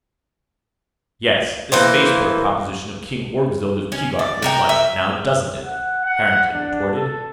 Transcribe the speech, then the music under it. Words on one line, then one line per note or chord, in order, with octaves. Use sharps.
"Yes, this spaceport proposition of King Orgzild of Keegark looks like it, now doesn't it?" Harrington retorted.
E3 A#3 C5
C#4
D5
F#4 A#4 G5
E5
F#5
F#5
D4
A4